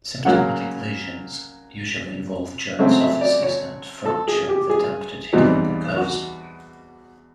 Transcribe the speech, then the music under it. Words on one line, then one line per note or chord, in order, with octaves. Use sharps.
Symptomatic lesions usually involve joint surfaces, and fracture with attempted healing occurs.
C#3 F#3 A#3 F#5
C#3 F#3 A3 C4 E5
E5
D5
C#5
A4
G#4
G4
G#4
E2 B2 G3 C4 D#4
F#4